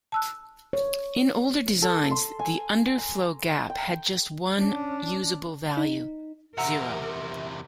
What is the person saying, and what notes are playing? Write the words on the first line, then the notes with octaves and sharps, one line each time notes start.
In older designs, the underflow gap had just one usable value, zero.
A5 E6 F#6
C#5
A4
C6
G#5
A#5
G5
C#4 D4
D#4
E2 C3 A#4 E5 F#5 A#5 E6